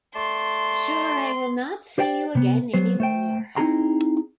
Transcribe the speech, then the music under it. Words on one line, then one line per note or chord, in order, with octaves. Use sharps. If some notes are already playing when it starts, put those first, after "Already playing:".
Sure I will not see you again any more.
A3 D5 A5 C6
G4 C5 D5 G5
C3 B3
F#3 B3 C5
A3 C5 G5
C4 D#4 E4 G#4 A#5 C6